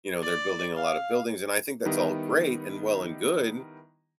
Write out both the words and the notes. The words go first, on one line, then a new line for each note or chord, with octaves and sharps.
you know, they're building a lotta buildings, and I think that's all great and well and good.
D5
F5
D#3 G3 B3 D#4 E4